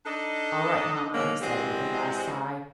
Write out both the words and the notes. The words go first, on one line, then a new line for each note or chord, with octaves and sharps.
"All right, mamma," he said, with a vast sigh.
D4 D#4 A4 D5 D#5
G#2 B2 D#3 F#3 G#3 A#3
E3 G#3 C4 D4 F#4 G4